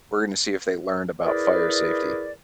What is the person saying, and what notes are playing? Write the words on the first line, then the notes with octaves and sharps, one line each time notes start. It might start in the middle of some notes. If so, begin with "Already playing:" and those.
we're going to see if they learned about fire safety,"
E4 G#4 A#4 B4 D5